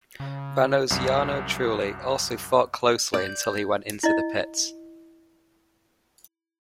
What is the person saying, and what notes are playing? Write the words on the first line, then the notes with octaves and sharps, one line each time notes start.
Renault's Jarno Trulli also fought closely until he went into the pits.
C#3
C2 F#2
D5 G6
E4 D#5